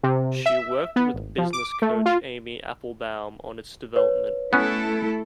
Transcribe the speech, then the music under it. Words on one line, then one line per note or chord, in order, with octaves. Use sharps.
She worked with business coach Amy Applebaum on its development.
C3
E5
B3
G#1
F3
D6
A3
F4
B4 C#5
A3 B3 C#4 E4 A4 F#6